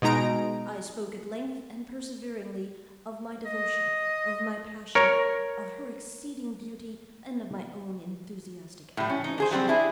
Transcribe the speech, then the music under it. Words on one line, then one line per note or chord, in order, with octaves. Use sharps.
I spoke at length, and perseveringly of my devotion, of my passion--of her exceeding beauty, and of my own enthusiastic admiration.
B2 G#3 D#4 A#5 D7
D#5
A#4 C#5
A2 G3
C#4
D#4
D4 G#4 C5
F#3 G3 C4
D4 E4 G#4